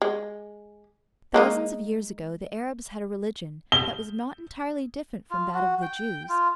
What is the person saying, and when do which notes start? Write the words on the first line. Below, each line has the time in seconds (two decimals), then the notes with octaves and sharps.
Thousands of years ago the Arabs had a religion that was not entirely different from that of the Jews.
0.02 G#3
1.34 G#3 A#3 D#4
3.72 G7
5.31 F4
5.54 F#4
5.82 G5
6.29 F4